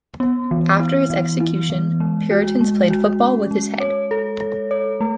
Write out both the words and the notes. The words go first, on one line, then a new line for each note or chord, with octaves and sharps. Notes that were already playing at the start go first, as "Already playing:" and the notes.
After his execution, Puritans played football with his head.
B3
E3
E4
E3
E4
E3
G#3
F#4
G#3
F#4
C#4
G#3
C#5
A4
A4
C#5
A3